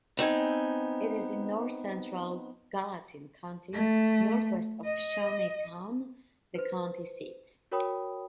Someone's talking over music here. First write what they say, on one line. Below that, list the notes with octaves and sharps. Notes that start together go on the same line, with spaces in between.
It is in north-central Gallatin County, northwest of Shawneetown, the county seat.
B3 C4 D#4 G#5
A3
D#5
B4 C5
F#4 A#4 C#5 G5 B5 D#6